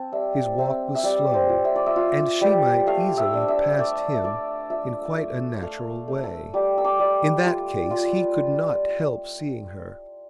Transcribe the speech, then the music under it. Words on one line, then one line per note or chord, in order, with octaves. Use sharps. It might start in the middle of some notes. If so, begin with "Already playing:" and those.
His walk was slow, and she might easily have passed him in quite a natural way; in that case he could not help seeing her.
Already playing: C4 A5
G3 E5
C4 E5
E5
G3 D5
C5
F4
E5
D5
E5
F4
G3
A3 F5
E5
D4
E5
A3 D5
E5
A3 D5
F4 E5
A3
A3 F5
A3
E6
G3 D6
E6
D6
G3
F4
F4